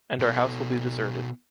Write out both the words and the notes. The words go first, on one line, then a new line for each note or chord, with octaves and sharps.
And our house will be deserted.
B2 A4